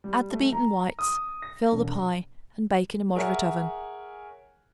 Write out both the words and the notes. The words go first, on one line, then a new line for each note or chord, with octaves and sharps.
Add the beaten whites; fill the pie and bake in a moderate oven.
G3
A3
A#5
D#6
A#6
E1
G#4 A#4 C#5 E5 F#5 G#5